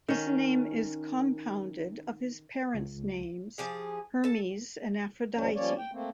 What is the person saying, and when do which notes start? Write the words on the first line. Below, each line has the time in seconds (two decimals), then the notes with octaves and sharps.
His name is compounded of his parents' names, Hermes and Aphrodite.
0.08 D#3 C#4
2.74 C#2
3.58 F3 G4 G#4
4.24 A4 A5
5.35 D#2 G#2 F3 G3 C#4
5.55 F3 G3 A#3 C#4 C#5 D5
5.78 G5
5.92 A3 A#3 C4